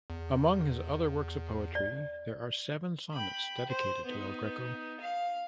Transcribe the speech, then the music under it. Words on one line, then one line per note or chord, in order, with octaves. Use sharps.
Among his other works of poetry there are seven sonnets dedicated to El Greco.
E2
D5
G5 B5
C5
B3 D#4
F5